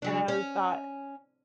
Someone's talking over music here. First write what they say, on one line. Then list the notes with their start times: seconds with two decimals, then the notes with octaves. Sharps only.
and I w thought
0.02 C#3 F#3 D4
0.28 C#4